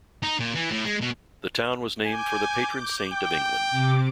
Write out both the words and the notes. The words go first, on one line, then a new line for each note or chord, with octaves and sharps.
The town was named for the patron saint of England.
D#4
A#2
E3
A2
G#3
B2
G#5 D6 G6
G5
C3 D6